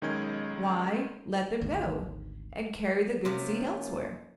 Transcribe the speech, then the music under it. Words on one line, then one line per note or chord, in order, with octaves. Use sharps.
Why, let them go and carry the good seed elsewhere.
B1 D#3 G#3 C#4 D#5 G#6
G#1 D2 D#3
C3 F3 A#3 C#4